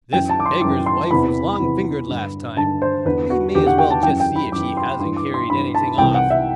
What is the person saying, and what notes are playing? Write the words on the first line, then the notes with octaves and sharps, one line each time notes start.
'This beggar's wife was long-fingered last time; we may as well just see if she hasn't carried anything off.'
F#2 E3 G5
A5
D6
C6
F#2 E3 D6
C6
E2 C3 E3 B5
E2 C3 E3
G2 D3
G2 D3 A5
C5
E2 D3 B4
F#4
E2 D3 G4
F#5
G5
A5
F#2 E3 G5
G5
B5
F#2 E3 D6
C6
G2 E3 C6
D6
C6
G2 E3 B5
A5
C2 C3 E3 G5
F#5
E5